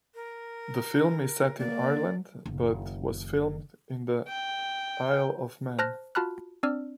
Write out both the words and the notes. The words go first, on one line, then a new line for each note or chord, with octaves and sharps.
The film is set in Ireland but was filmed in the Isle of Man.
A#4
A#3 D5
F#1 D#3
G5
C5 A5 F6 F#6 A#6
F4 F#4 A5 B5 F6 F#6
C4 D4 D5 E6 F6